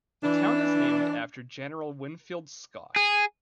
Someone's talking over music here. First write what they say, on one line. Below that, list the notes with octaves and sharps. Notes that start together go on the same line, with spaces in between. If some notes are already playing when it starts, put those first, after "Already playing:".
The town is named after General Winfield Scott.
E3 D4
G#4